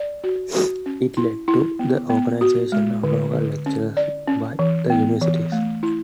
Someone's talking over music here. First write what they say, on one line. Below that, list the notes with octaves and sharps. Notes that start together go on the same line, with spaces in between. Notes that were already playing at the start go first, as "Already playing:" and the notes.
It led to the organisation of local lectures by the universities.
Already playing: D5
F#4
F#4
C#4
E4
E4
B3
B3
F#4
G#3
D3
D3
C#4
D5
C#4
E3
B3
E3
A3
E4